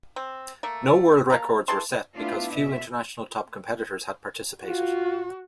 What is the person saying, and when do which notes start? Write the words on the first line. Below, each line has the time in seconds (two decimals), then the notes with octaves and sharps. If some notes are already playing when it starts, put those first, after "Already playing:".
No world records were set, because few international top competitors had participated.
0.16 C4
0.63 A3 A#3
1.30 A#3 F#4 A5 A#5
1.68 E3 G#4 A5 C6
2.14 A3 B3 D4 E4 F4
2.51 B2 E5
4.64 F4 F#4